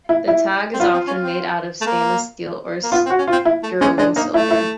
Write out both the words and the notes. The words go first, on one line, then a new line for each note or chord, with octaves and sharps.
The tag is often made out of stainless steel or sterling silver.
E4
E4
C4
B3 F4
C4
C#4
C4
A3
A#3
A#3
B3 F4
C4
F#4
C#4
F4
C4
E4
A3
G#3 C#4
G#3 D4
A#3 D#4
A3 E4
E4